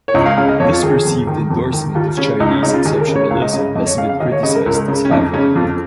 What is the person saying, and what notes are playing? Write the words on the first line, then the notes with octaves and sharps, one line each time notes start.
This perceived endorsement of Chinese exceptionalism has been criticized as havoc.
C#5
C#2 D#5
F5
C#3 F5
D#5
F2 C#5
F4
D#3 G#4
F2
D#3
F2
D#3
D#2 F4
C#3 C#4
C#2 D#4
C#4
C#3 D#4
F4
D#2 G#4
A#4
C#3
C#5
C#2 F5
D#5
C#3 D#5
F2 D#5
C#5
C#3 F5
F5
D#2 D#5
C#5
C#3 D#5
A#4
C#2 A#4
C#3
C#4
F2 D#4
C#3 C#4
F2 F4